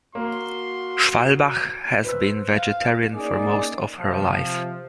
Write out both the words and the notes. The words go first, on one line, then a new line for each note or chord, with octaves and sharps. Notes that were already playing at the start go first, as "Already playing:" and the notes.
Schwalbach has been vegetarian for most of her life.
A#3 F#4 C6
B4 C5 E6
F5
A#3 C#4 D#4 G#4 D5
C3 F3